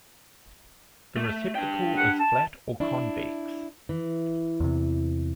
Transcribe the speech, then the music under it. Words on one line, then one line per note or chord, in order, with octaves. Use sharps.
The receptacle is flat or convex.
A3
D4 G5
F#5
A5
D4 E4
E3
E2 C3